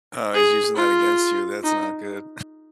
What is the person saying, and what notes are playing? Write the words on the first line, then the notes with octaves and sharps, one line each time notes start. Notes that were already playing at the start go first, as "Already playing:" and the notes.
Oh, he's using that against you. That's not good.
G#4
F4
D#4